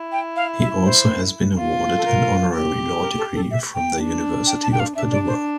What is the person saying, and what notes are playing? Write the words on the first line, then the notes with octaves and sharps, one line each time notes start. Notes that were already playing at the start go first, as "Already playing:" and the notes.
He also has been awarded an honorary law degree from the University of Padua.
Already playing: E4
G5
F5
E5
C5
F4
A4
A#4
G4
A#4
A4
A4
E5
G5
D4
G5
A5
G5
F5
D4 E5
D5
C5